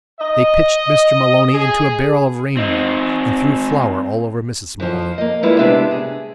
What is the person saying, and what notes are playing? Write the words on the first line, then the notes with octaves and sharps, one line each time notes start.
They pitched Mr. Maloney into a barrel of rain water and threw flour all over Mrs. Maloney.
D#5
G#4
C4 D#4
F2 F3
A#3 D#5
G3 G#3 E4 F4 B4
C3 G#3 B3 D4 G4 E5
G#4